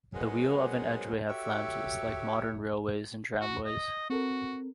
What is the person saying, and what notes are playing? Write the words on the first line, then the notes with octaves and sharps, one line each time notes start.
The wheels of an edgeway have flanges, like modern railways and tramways.
F#3 G#3 B3 C#4 A#4 C5
F#4 G4 A4 C#5 E5
F#4
D#5
C4 F#4 A4 A#4